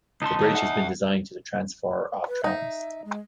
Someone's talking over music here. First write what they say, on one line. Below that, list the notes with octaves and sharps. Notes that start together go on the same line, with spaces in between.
The bridge has been designed to the transfer of trams.
C#2 D#4 A5 C6
D#3 G4
E5 F#5
B4
D#4 E5
G#3